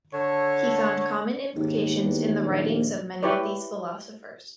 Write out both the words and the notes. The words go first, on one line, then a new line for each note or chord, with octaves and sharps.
He found common implications in the writings of many of these philosophers.
D3 A4 C#5
D#2 G#2
E2
A#1
E4 G4 B4 C#5 D5